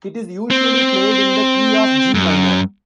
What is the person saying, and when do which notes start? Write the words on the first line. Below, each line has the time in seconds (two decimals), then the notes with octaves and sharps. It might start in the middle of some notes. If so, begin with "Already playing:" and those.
It is usually played in the key of G minor.
0.51 C4
2.15 F#2